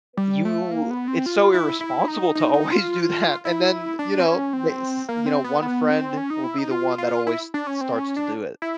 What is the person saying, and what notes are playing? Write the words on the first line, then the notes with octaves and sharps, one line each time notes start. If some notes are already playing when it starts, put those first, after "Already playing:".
you it's so irresponsible to always do that, and then, you know bas you know, one friend will be the one that always s starts to do it.
G3
A3
A#3
B3
C4
F4
E4
E4
D#4
D#4
D#4
F4
E4
D4
C4
C#4
C4
A#3
C4
B3
B3
C4
C#4
D#4
E4
D#4
F4
F4
E4
D4
C#4
C4
C#4
D4
E4